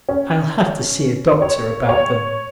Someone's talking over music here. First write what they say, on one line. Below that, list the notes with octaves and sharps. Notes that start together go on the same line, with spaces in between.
I'll have to see a doctor about them.
C#4
C#5
C#5